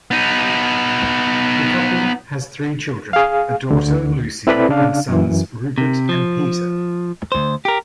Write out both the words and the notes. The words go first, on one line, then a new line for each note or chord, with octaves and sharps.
The couple has three children, a daughter Lucy and sons Rupert and Peter.
B3 D#4
G#4 F5
D2 D3
C4 E4 A4 B4 D5 B5
C#3 D4 F5
F#2 E3
C3
F3
D2 C5
G4 A#4